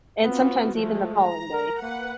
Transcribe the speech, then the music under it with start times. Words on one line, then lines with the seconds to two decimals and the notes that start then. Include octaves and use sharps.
and sometimes even the following day.
0.24 B3 C4 F4 F#4
0.75 F3 G#3 A3
1.19 A#5
1.53 A#4
1.82 A#3 B4 F#5